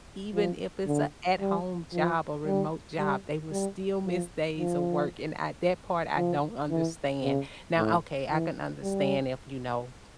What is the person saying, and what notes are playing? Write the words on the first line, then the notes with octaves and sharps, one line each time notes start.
even if it's a at home job or remote job, they will still miss days of work, and at that part, I don't understand. Now, okay, I can understand if, you know,
F3
D3
G3
F3
G3
G3
G3
F3
F3
F3
E3
C#3
A2
E3
G3